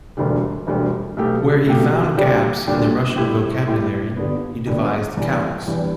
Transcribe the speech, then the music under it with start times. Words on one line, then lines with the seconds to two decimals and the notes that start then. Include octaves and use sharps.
Where he found gaps in the Russian vocabulary, he devised calques.
0.17 E1 D2 D3 G3
0.67 E1 D2 D3 G3
1.17 B1 B2 A3 G4
1.67 B1 B2 A3 G4
2.17 D2 D3 G3 D4 G4
2.67 D2 D3 G3 D4 G4
3.17 A2 G3 E4 G4
3.67 A2 G3 E4 G4
4.16 G1 G2 D3 B3
4.66 G1 G2 D3 B3
5.16 E2 E3 G3 D4 G4
5.66 E2 E3 G3 D4 G4